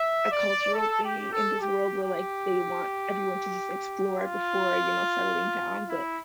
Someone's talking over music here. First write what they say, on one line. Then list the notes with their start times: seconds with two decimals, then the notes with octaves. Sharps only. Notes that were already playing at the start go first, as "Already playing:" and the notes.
a cultural thing in this world where, like, they want everyone to just explore before, you know, settling down, but
Already playing: E5
0.31 D5
0.74 A4
1.03 G4
1.31 A4
1.60 G4
2.03 G4
4.16 F4
5.87 E4